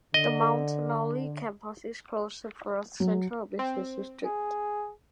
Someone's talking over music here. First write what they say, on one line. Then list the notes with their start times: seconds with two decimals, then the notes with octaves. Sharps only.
The Mount Lawley Campus is close to Perth's central business district.
0.14 D3 D#5
3.00 F#3
3.59 C4
4.25 G#4